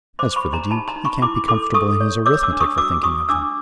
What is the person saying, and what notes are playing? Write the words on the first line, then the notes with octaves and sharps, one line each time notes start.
As for the Duke, he can't be comfortable in his arithmetic for thinking of them.
C5 C6 D6
B5 C#6
G4
A#5 C6
D#4 A5 B5
A#5 C6
D#4
B5 C#6
E4 C6 D6
A4 C6 D6
A4 C#6 D#6
C#5
C#5 D6 E6
D6 E6
D4
C#6 D#6
F#4 D6 E6
F#4 C#6 D#6
D4 D6 E6